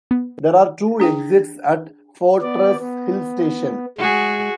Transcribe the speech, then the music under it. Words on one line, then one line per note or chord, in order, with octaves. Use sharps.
There are two exits at Fortress Hill station.
B3
D4 G#4 G5
B3 D5
B3
G#3 F#4 G#4